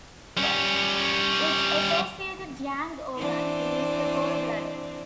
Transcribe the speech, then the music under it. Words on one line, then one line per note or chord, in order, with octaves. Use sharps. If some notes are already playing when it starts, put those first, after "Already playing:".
Its associated yang organ is the Gallbladder.
G3 C#4
E3 C4 D4